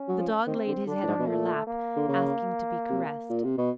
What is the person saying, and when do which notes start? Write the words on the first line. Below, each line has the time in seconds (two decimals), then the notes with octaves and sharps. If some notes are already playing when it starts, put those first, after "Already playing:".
The dog laid his head on her lap, asking to be caressed.
Already playing: C#4
0.08 F#3
0.19 F3
0.46 D#3 C4
0.67 D3
0.87 D3 D4
1.03 A2
1.08 G#2
1.19 B2
1.27 A#2 A3
1.67 A#3
1.96 D3
2.08 C#3
2.90 C3
3.30 A#2
3.44 C3
3.58 B2